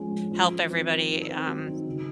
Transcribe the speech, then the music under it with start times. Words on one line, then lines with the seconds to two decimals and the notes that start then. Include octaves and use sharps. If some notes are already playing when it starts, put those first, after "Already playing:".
help everybody, um,
Already playing: F3 G#3 C#4
0.12 F3
0.31 F3
0.50 F4
0.70 C4
0.89 A#4
1.09 D#3
1.28 C4
1.47 F#3
1.67 D#3
1.87 C#3